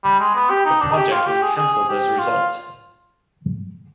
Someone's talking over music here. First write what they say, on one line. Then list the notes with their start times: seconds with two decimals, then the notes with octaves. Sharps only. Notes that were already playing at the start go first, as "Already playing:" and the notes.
The project was canceled as a result.
0.04 G3
0.20 G#3
0.35 B3
0.50 G4
0.65 D#4
0.80 D4
0.92 G#4
0.96 G4
1.12 F4
1.26 G4
1.42 G#4
1.57 G#4
1.73 G#4
1.89 G4
2.19 F4